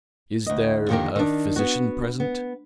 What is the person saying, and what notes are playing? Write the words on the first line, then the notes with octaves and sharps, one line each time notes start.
"Is there a physician present?"
D2 D#5
F2 D3 D#3 A#3 G4 A#4
D#3 D4
B3 F#4
B3